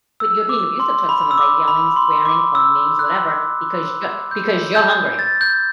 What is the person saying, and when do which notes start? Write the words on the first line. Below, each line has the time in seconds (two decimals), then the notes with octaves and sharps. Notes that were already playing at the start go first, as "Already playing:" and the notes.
But you're being abusive towards someone by yelling, swearing, calling names, whatever, because you're because you're hungry.
0.20 E6
0.49 D6
0.80 C6
1.09 B5
1.31 E6
1.37 D6
1.68 B5
1.96 C6
2.25 D6
2.55 E6
2.99 F#6
4.31 G6
4.75 G6
5.19 A6
5.41 G6